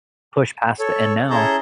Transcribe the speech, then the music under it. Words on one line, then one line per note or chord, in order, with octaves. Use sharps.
push past it and now
A4 C#5
C#4 E4 G#4 A5 A#5 G6